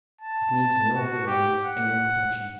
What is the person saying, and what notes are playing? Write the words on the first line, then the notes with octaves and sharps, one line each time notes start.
It needs no other guidance, and no protection.
A5
F#4
G4
F#5